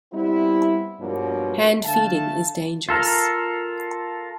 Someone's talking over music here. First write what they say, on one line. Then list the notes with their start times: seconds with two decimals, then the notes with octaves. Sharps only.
Hand feeding is dangerous.
0.13 G3 B3 C4 E4
0.99 G2 B2 F3 F#3 A#3
1.84 D3 A3 F5 A5
2.89 F4 A4 A#4